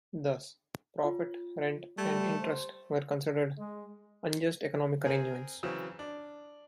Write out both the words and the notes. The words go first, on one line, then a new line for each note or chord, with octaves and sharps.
Thus, profit, rent, and interest were considered unjust economic arrangements.
F4 C#5
G3 A3 G#6
C5
G#3
C4 G#4 A#4
C#3 E3 F#3 C4
D4